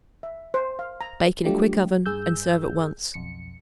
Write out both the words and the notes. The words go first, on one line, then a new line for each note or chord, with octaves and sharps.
Bake in a quick oven and serve at once.
E5
C5
F5
A#5
F#3 G3 A3 D4 F4 G4
G2 G#4 E6 G6
B1 F2 C#7